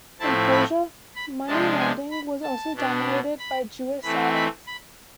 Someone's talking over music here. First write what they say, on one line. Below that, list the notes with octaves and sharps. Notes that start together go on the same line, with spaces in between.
In Persia, money lending was also dominated by Jewish Sarrafs.
A2 F3 A3 C4 E4 A5
B5
B5
C3 F3 G#3 D4 A5
G#5
B5
A5
B2 B3 D4
B5
E3 A3 C4 B5
B5
B5